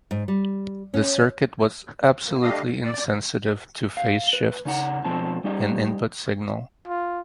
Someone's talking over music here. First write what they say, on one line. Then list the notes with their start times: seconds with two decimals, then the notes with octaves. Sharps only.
The circuit was absolutely insensitive to phase shifts in input signal.
0.11 G#2
0.28 G3
0.94 C#4
2.25 A#3
2.42 G3 A3 D4 G4 D#5 F5
2.64 F2
2.84 D5
3.97 F5
4.33 B4
4.65 C#3 D#4 F#5
5.04 B2 F3 C4 A5
5.44 G3 D#4 G4 D#5
6.88 F4